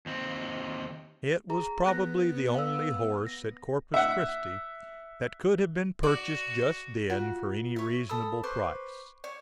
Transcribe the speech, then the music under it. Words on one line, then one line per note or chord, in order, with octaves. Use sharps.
It was probably the only horse at Corpus Christi that could have been purchased just then for any reasonable price.
D#2 C4
G#4 A#5
B3 F#6 A#6
F5 E6
A#6
E5 F#5
F#4 D5
F4 F#4
C#5 E5
A4 B5 D#6 E6
B4 C5 C#6 D6
C#5 D5